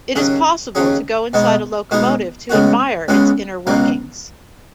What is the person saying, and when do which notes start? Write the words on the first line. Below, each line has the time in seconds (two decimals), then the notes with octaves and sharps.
It is possible to go inside a locomotive to admire its inner workings.
0.15 D#2 C#3 F#3 C#4 G#4
0.75 D#2 C#3 F#3 C#4 G#4
1.33 B2 G#3 B3 D#4
1.91 B2 G#3 B3 D#4
2.50 C#2 C#3 G#3 B3 F#4
3.08 C#2 C#3 G#3 B3 F#4
3.67 C#2 B2 F#3 A#3